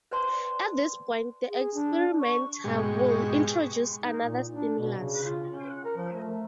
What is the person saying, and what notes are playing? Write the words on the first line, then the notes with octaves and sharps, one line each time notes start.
At this point, the experimenter will introduce another stimulus.
B4 C5 D5 G5 A5 C6
G#4
D4
C#6
G#2 B2 G#3 G4 C#6
D#4
A#2
D4
B2
C#3
F4
C#4
A#4
F3
A3